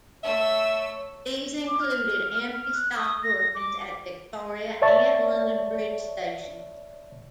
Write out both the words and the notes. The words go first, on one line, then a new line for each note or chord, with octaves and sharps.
These included empty stock workings at Victoria and London Bridge Stations.
A3 C#5 E5 E6
D6
F6
F6
F#6
D#6
A#6
D6
C#5 D5 E5 A5 C#6 A6